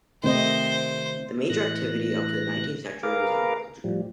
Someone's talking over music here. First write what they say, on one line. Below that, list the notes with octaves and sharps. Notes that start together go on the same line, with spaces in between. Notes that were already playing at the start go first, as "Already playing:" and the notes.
The major activity up to the nineteenth century was agriculture.
C3 D#3 A3 C4 C5 D#5
A2 E3 F#6 A#6
G#5
G#4 A#4 B4 F5 A#5 D6
A2 F3 G3